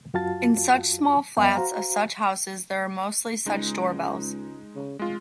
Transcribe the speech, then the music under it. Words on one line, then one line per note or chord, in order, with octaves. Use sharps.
In such small flats of such houses there are mostly such door bells.
F#2 F4 F#4 F5 A5 A6
F#2 B3 D#5 E5 G5
F#4 C5 F5 A#5
C#2 G#3 D#4
C#3
F1 G#3 F4